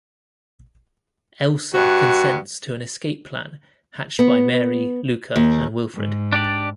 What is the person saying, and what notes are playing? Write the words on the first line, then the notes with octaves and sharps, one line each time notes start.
Elsa consents to an escape plan hatched by Mary, Luca and Wilfred.
G2 F#4
B3
D#2
G#2
D4 G4 D5